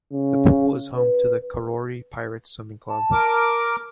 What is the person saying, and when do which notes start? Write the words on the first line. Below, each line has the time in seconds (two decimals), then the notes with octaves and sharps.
The pool is home to the Karori Pirates swimming club.
0.13 C#3
0.97 B4
2.89 A5
3.12 A#4 D6